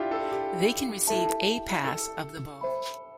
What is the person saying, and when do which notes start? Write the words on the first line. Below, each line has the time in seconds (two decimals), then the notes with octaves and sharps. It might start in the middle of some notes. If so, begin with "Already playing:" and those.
They can receive a pass of the ball.
Already playing: D4 E4 F4 G4
0.11 A4
0.32 G4
1.07 E4 A4 E5 A5
1.84 A4
2.61 C5 E5 B5